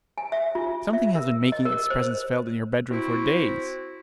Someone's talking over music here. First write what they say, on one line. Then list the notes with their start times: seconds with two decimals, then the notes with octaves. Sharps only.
Something has been making its presence felt in your bed-room for days.
0.18 G#5
0.32 E5
0.55 F4
0.93 E5
1.15 A#4
1.52 D#5
1.65 A#4
1.90 C5
2.91 C4 E4 F#4